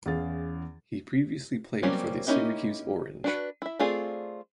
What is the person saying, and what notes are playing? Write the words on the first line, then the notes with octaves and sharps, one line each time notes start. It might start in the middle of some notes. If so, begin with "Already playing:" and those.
He previously played for the Syracuse Orange.
E2 E3 C#4 G#4 F5 A6
F#3 G3 A#3 C4 C#4
A#3 C#4 D#4 E4 G4
D4 F#4 B4
E4 E5
A3 C4 F4 G#4 D5